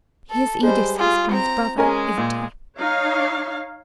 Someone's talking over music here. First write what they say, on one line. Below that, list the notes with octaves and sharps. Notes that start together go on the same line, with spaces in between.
He is Edith's husband's brother, isn't he?
A4
G3 G#3 C5
F4 G#4
C4 A#5
G#3 C#4 G#4 A#4 G#5
A#2
D#4 C#5 F5